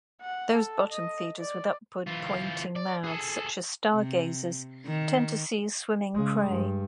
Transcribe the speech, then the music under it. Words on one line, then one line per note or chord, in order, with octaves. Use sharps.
Those bottom feeders with upward-pointing mouths, such as stargazers, tend to seize swimming prey.
F#5
A4
D#5
D5
E3 F4
D5
G#4 A4
C3
D#3
C#3 G#3
G2